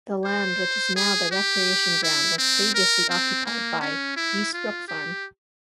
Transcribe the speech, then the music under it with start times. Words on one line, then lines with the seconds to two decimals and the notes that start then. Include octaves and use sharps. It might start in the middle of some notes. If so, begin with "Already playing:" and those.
The land which is now the recreation ground was previously occupied by Eastbrook Farm.
0.25 C5
0.96 G#4
1.31 G4
2.03 E4
2.38 C4
2.75 A#4
3.09 C4
3.45 A#3
3.81 C#4
4.16 E4
4.53 F4
4.88 G4